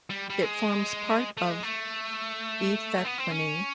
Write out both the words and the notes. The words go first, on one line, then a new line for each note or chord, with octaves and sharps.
It forms part of eThekwini.
G3
G3
G#3
A3
G#3
A3
B3
C4
C#4